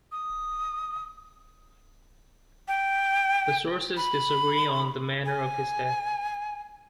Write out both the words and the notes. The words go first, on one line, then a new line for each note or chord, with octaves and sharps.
The sources disagree on the manner of his death.
D#6
G5
B5
G#5